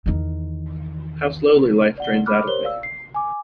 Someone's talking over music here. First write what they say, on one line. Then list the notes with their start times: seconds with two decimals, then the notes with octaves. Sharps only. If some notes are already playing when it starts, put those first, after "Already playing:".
How slowly life drains out of me.
0.06 E2 D#3
1.98 D5 F#5 G7
2.26 B5 D6 F6 F#6
2.47 G4 A#4 C5 C#5 G7
2.63 D5 F5 E6
2.83 C7
3.14 G#5 D6